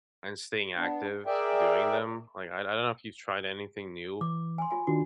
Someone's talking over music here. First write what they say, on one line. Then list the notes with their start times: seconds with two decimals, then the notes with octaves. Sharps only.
and staying active doing them. Like, I d I don't know if you've tried anything new,
0.76 B3 D4
1.26 G#4 A#4 D5 E5 G5
4.21 E3 D6
4.58 G#5 C6
4.71 F4 G#5
4.87 D#3 D4 F4 F#4